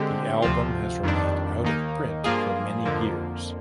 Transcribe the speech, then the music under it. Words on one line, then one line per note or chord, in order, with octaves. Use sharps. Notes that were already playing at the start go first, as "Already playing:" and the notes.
The album has remained out of print for many years.
Already playing: D3 G#3 C4 G4
D2 C3 F3 C4 F4
F2 D#3 G3 D4
D#2 D#3 A#3 D#4
G2 F3 A#3 F4 G#4
F2 D3 F3 A#3